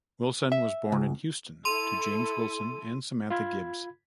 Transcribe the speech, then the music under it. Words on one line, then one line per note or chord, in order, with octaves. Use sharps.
Wilson was born in Houston to James Wilson and Samantha Gibbs.
E5
C#2
E4 A4 C6 D#7
F4 B5 G#6